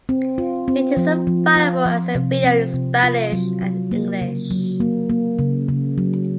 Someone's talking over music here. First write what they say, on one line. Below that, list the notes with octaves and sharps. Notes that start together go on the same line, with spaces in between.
It is available as a video in Spanish and English.
C4
F4
C4
F3
F3
F4
F3
C3
C4
C3
F4
F#3
F#3
A#3
C#3
F#3
A#3
A#3
C#3
C#3
F#3